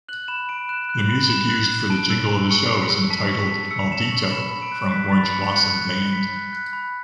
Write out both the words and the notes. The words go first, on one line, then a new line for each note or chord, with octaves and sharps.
The music used for the jingle of the show is entitled Maldito, from Orange Blossom band.
F#6 F#7
B5 E7
B5 D7
F#6 E7
F#6
F#7
B5
B5 E7
F#6
F#6
A5 D7
E6
A5
C#6 C#7
A5
E6
A5 B6
C#6
B6
A5
E6 C#7
A5 E7
C#6 F#7
B5 E7
B5
D7
F#6
F#6 B6
B5 A6
B5 C#7
F#6 C#7
F#6
B5
B5 B6
F#6
F#6
B5